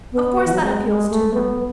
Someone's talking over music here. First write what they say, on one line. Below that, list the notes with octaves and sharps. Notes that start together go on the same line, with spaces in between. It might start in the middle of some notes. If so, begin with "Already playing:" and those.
"Of course that appeals to him."
B3
E3
F#3
G#3
G#3
A3
B3